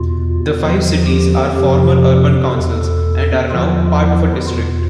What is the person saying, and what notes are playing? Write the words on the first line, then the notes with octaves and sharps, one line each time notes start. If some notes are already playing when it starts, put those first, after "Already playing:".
The five cities are former urban councils and are now part of a district.
Already playing: E2 B2 F4
E2 D3 F3
G4
F2 C3 F3 G4
E2 B2 A4
E2 D3 F3 F4
E4
E2 B2 F4